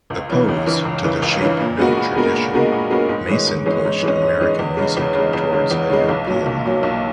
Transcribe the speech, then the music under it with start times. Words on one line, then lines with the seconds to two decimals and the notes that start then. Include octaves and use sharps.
Opposed to the shape-note tradition, Mason pushed American music towards a European model.
0.10 C#2
0.29 C#3 E3
0.48 C#2
0.67 C#3 E3
0.85 C#2
1.04 C#3 E3
1.22 C#2
1.41 C#3 E3
1.61 A#2
1.78 G#3 B3 F#4 A#4
1.97 A#2
2.16 G#3 B3 F#4 A#4
2.34 A#2
2.54 G#3 B3 F#4 A#4
2.72 A#2
2.91 G#3 B3 F#4 A#4
3.09 G#2
3.29 E3 G#3 C#4
3.47 G#2
3.65 E3 G#3 C#4
3.85 G#2
4.02 E3 G#3 C#4
4.22 G#2
4.41 E3 G#3 C#4
4.59 E2
4.77 C#3 G#3
4.97 E2
5.15 C#3 G#3
5.33 E2
5.53 C#3 G#3
5.71 E2
5.90 C#3 G#3
6.09 B1
6.27 A#2 F#3
6.46 B1
6.65 A#2 F#3
6.83 B1